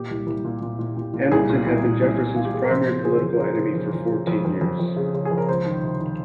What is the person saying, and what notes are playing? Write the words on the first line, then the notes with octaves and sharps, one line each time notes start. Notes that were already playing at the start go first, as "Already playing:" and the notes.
Hamilton had been Jefferson's primary political enemy for fourteen years.
Already playing: A#2 G4
C2
C2
A#2
A#2
A#2
A#2
A#2
C2 G#4
A#2
C2
C2
C2
C2
C2 F4
G4
A#2 G#4
A#4
F2 C5
C#3
C#3 G#4
F2
C#3 A#4
C#3
F2
F2
C#3
F2
F2
F2
F2
C#3
C#3
G#4
F2
A#4
C#2 C5
D#3
C3
D#3